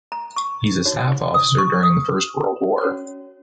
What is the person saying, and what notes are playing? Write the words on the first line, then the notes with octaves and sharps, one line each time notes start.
He’s a staff officer during the First World War.
A#5
C#6
D#4 F#4 C#5
D#6
C#6
D#6
C#4 F#4 C#5